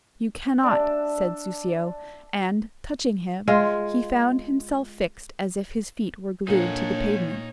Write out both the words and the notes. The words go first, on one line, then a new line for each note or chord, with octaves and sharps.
"You cannot," said Soussio; and, touching him, he found himself fixed as if his feet were glued to the pavement.
D4 E5
G#3 F4
A#2 A#3 D4 D#4 C#5 F#5